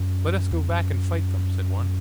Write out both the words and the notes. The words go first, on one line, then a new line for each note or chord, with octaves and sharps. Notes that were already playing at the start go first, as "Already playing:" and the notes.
"Let us go back and fight them," said one.
Already playing: F#2
E2
F2
F#2